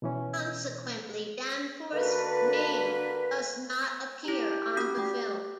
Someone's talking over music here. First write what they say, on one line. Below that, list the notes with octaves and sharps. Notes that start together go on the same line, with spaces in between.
Consequently, Danforth's name does not appear on the film.
B2 E3 C#4
D3 A#3 D4 F#4 A#4 B4
E4 G4 A#5
C#4 F#4 D#6
A3 G5